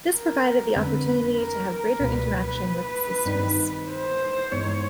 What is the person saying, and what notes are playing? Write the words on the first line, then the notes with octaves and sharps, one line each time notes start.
This provided the opportunity to have greater interaction with his listeners.
A#4
F2 D3 G3 C4 B4
A#4
A#4
C#2 B2 G3 A#3 B4
G2 D#3 G3 C4 D#4
C5
G2 E3 G#3 B3 D#4 C#5